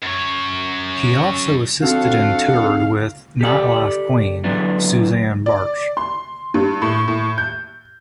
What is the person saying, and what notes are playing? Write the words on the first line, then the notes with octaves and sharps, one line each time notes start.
He also assisted and toured with the "Nightlife Queen", Susanne Bartsch.
F#2 C#5
F2 C4 D4 F#4 A4 F5 F#5
G4 A4 D5
D3 E3 F#3 B3 D4
D5
C6
G2
A2
A2
G6